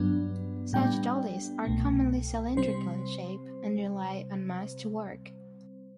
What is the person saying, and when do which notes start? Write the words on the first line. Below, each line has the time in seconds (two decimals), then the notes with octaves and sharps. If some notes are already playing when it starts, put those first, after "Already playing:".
Such dollies are commonly cylindrical in shape, and rely on mass to work.
Already playing: G2 F#3 B3 D4
0.73 A2 G3 B3 D4 G5
1.65 C2 B2 A3
2.57 C3 G3 C4 C5